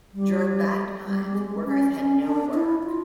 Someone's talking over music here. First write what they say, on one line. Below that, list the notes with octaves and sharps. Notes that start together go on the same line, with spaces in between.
During bad times workers had no work.
G3
G3
G3
G#3
C#4
C#4
D4
E4
F4